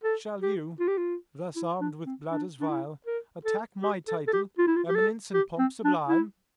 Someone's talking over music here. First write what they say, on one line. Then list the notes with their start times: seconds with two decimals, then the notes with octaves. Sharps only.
Shall you, thus armed with bladders vile, attack my title, eminence, and pomp sublime?
0.04 A4
0.42 G4
0.80 F4
0.88 G4
0.97 F4
1.56 E4
1.81 D4
2.06 C4
2.31 D4
2.61 D4
2.69 E4
3.06 A#4
3.45 A4
3.82 G4
4.08 A4
4.28 A4
4.33 G4
4.58 F4
4.67 E4
4.76 F4
4.89 G4
4.95 A4
5.34 G4
5.59 C4
5.85 D4
6.09 E4